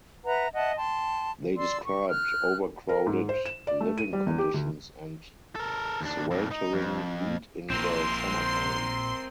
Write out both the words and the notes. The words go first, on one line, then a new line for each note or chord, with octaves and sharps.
They described overcrowded living conditions and sweltering heat in the summertime.
B4 E5 F#5 A#5
D#5 E5 F#5 A5
G5 A5 C6
D5 C6 E6
C#6
F6 F#6
A#4
G#2
C5
E7
D5
A3
D#7
G3
E2
G4
D2
A4 A#4
D#2 D4
F2 A#2
D#4
F2
A#1 A#2 C4 A#4 C6